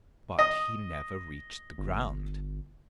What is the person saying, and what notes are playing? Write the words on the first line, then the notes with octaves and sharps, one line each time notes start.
But he never reached the ground.
D#5 D#6
G1